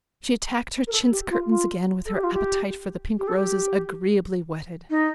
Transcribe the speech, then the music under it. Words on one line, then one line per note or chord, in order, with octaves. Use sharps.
She attacked her chintz curtains again with her appetite for the pink roses agreeably whetted.
A#4
A4
G4
F4
F4
A4
G4
F4
G4
G4
A4
G4
D#4